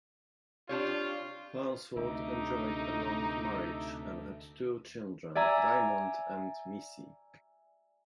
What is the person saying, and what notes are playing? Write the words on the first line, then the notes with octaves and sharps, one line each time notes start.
Farnsworth enjoyed a long marriage and had two children, Diamond and Missy.
D4 F4 G4 C#5
D2 C3 D#4 E5 D6
D5 E5 G#5 A#5 E6